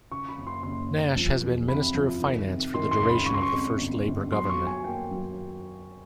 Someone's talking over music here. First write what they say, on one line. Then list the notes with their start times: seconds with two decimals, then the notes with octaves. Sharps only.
Nash had been Minister of Finance for the duration of the first Labour government.
0.11 C#3 C#6
0.28 B5
0.38 F#1
0.47 C6
0.63 F#1 C6
0.90 C#3
1.16 F3
1.43 E2
1.68 C3 B5
1.95 F3
2.22 D#3
2.48 C3
2.74 D#3 C6
2.91 C6
3.00 C#2
3.10 B5
3.26 C#3 C#6
3.34 C6
3.42 C#6
3.53 F2
3.79 G1
4.06 G1
4.32 F#3 C6
4.49 C#6
4.58 F#3
4.67 G#5
4.84 A#3 G5
5.11 F#3